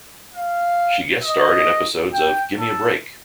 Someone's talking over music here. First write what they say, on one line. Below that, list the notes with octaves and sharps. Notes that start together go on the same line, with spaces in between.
She guest-starred in episodes of Gimme A Break!
F5
D#5
G5
A4